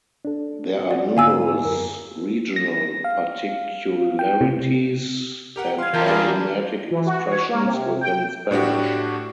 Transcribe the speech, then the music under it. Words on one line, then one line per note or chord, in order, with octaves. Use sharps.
There are numerous regional particularities and idiomatic expressions within Spanish.
D4 A4
F#4 D5
G#2 D3 F5 G#5 E6
F#2 A#4
A#6
F5
G5
C3
G4 A#4 F#5
F5 C6 G#6
E2 F4 A#4 G5 A5 G6
G#4 D5 A5
E3
F#4
C#5
A#3
C3
G5
A2 D4 F#4 G4